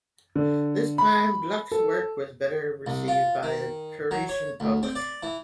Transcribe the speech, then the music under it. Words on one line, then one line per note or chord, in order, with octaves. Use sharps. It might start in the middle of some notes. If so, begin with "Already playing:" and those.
This time Gluck's work was better received by the Parisian public.
D3
B5
A4
C2
F4
D#3
F#3
C#5
D2
C4
D5
E3